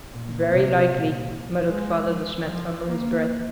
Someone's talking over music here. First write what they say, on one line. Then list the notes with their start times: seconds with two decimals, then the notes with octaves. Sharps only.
"Very likely," muttered Father De Smet under his breath.
0.11 A#2
0.51 C3
0.91 A#2
1.69 G#3
2.08 F3
2.47 F3
2.87 A#3